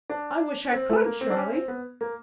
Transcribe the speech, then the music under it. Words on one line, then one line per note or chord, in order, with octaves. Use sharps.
'I wish I could, Charley!
D4
C4
A3
A#3
C4
D4
C#4
C4
B3
A#3